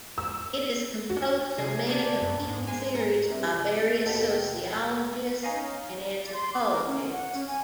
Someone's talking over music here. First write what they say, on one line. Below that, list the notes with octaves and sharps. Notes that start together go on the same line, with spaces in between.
It is composed of many competing theories by various sociologists and anthropologists.
E6
F#4
C3 G#4
A#3 B3 D4
F#2
G#2
G#3 G#5
A#4
G2 C3
D#2 B2 A4 G5 B6
C#4 D#4 D#5 F5
D5
C6
D6
A#4
C#4
F#5
C#4
G#5